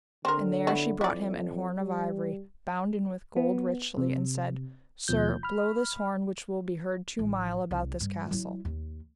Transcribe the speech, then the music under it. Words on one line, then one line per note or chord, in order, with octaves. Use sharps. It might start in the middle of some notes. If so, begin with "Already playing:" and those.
And there she brought him an horn of ivory, bounden with gold richly, and said: Sir, blow this horn which will be heard two mile about this castle.
D3 C4 A#4
F#3 B3 E4
F2 E4 D5
G3
B3
C3
D#2 B2 F3 G6
B5 F6
A1
C2
G2
F#3 E4
D#2